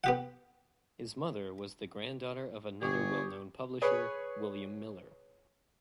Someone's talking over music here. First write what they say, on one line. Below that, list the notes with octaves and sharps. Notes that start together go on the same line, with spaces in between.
His mother was the granddaughter of another well-known publisher, William Miller.
B3 G4 F#5
G1 G4 G#4 C#6
G#4 B4 C#5